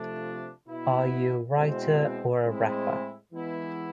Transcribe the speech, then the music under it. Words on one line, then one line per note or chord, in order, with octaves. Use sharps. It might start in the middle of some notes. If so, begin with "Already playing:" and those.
Are you a writer or a wrapper?
Already playing: C3 F3 A3 D4
B2 B3 E4
B2 G#3 C4 E4
A2 G#3 C4 E4
E3 G#3 B3 E4